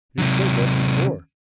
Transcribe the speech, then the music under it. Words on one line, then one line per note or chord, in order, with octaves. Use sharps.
"You said that before."
C3 F#3